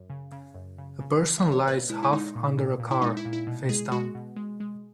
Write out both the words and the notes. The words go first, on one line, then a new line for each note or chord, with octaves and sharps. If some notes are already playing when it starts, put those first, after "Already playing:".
A person lies half under a car, facedown.
Already playing: F#2
C#3
C#3
F#2
C#3
C#3
E3
E5
C#3
C#5
A#2 B4
G#3 E4
E4
G#3 D#4
A#2
A#2
A#2
E4
G#3 D#4
E4
A#2
E4
B2
G#3 G#4
G#3 F#4
B2
G#3
G#3